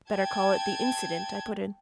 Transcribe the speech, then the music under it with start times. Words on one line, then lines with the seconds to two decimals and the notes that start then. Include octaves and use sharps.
"Better call it the incident," I put in.
0.11 G5 A5 G#6